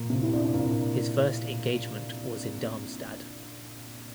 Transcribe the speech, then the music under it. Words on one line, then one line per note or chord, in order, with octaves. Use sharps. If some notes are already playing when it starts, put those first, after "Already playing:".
His first engagement was in Darmstadt.
Already playing: A#2 A#3
C3 C4
E4
D4
C4
A#2 A#3